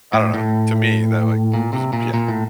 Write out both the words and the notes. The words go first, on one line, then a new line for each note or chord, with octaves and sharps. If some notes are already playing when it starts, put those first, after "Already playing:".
I don't know, to me, that, like, was b yeah.
A2
A2
A#2
C3
A#2
A#2
A2